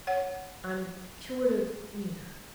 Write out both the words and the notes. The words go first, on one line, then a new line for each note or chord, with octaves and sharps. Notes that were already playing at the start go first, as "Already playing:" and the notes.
I'm cured of--Nita.
C#5 F#5